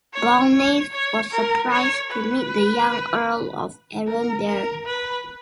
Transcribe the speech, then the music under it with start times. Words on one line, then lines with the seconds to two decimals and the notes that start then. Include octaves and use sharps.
Balnaves was surprised to meet the young Earl of Arran there.
0.13 C#5
0.53 C#5
0.92 C#5
1.32 A#4
1.71 C#5
2.10 B4
4.07 A#4
4.47 A#4
4.86 B4